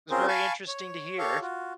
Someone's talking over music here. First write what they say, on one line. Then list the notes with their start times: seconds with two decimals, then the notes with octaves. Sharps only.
it was very interesting to hear.
0.11 C4 C#4 F4 G#4 A#4 C5
0.28 F5 G#5 A5 B5 C#6
0.68 C#5
1.18 G4 A4 C#5 F5 C#6
1.42 F4 F#4